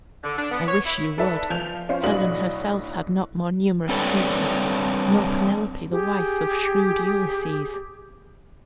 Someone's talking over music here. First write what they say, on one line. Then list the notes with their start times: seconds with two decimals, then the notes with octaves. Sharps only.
I wish you would. Helen herself had not more numerous suitors, nor Penelope, the wife of shrewd Ulysses.
0.24 D3
0.38 D4
0.51 B3
0.68 C#5
0.85 E4
1.18 D#4 A4 B4 D5 E5 A5
1.50 F3 G6 F7
1.89 C#4 F4 C5 F5
2.03 B1 A2 D4 F#4 D#5 F#7
3.89 G3 C4 D4 A4 B4 C#5
5.92 G4 G#4